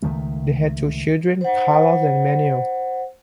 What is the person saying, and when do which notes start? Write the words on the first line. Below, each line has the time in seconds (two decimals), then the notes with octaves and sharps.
They had two children, Carlos and Manuel.
0.02 C#2 D#3 A3
1.41 C5 F#5